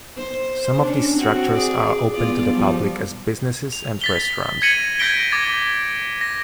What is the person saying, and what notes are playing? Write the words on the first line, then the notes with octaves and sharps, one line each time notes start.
Some of these structures are open to the public as businesses and restaurants.
C5
C#4 D4
C4 F#4
G#4 D5
E2 F4 D5
F3 G3
F7
A6 B6 G7
G#6 A#6 C#7 D#7 F#7
G6 G#6 A#6 B6 D7 G7
D6 G#6 A6
A#6